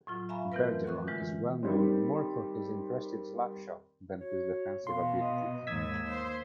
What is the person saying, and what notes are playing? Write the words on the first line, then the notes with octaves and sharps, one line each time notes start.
Bergeron is well known more for his impressive slapshot than his defensive abilities.
A2 F#3 F4
E5 F5 G#5 A#5 B5 C#6
E3 A3 C4 F4 A#4 B4
F#5 C#6 F#6
D3 E3 G#3 F4
D#3 G3 C4
F#4 C#5
B2 F5 C6
D#5
D#2 G#2 A#3 D#6 E6 G#6 B6
C5